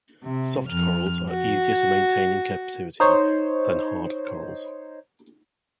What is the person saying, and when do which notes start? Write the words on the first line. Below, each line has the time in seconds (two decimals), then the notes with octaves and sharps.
Soft corals are easier to maintain in captivity than hard corals.
0.23 C3
0.68 F2 F6
1.29 F#4
3.00 D#4 C5 C#5